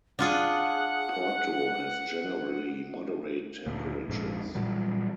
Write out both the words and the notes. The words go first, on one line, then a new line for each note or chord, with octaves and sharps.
Porto has generally moderate temperatures.
D4 F4 G#4 F#5
D2 A#2
A#1 F2 G#2
A#2 E3 F#3 G3